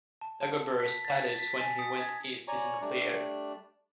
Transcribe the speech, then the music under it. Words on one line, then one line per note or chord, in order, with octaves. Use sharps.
Dagobert's status when he went east is unclear.
A5
A5
B6
A6
B6
G#5
D#6
G#6
C#5 D5 G#5 A#5 C#6
G3 A3 D4 D5